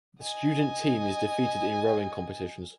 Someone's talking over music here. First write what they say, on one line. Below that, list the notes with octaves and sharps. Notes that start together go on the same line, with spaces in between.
The student team is defeated in rowing competitions.
D#5 G#5